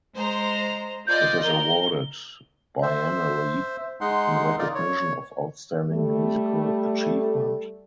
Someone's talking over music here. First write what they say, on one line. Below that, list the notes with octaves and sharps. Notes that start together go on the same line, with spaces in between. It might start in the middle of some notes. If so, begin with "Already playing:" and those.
It is awarded biennially in recognition of outstanding musical achievement.
G#3 C5 A#5
F4 D5 D#5 G6
A#4 G7
C5 E5
G#3 D#4 F#5 C6
D#4 F4 A#4 D5
C#5
G3 A3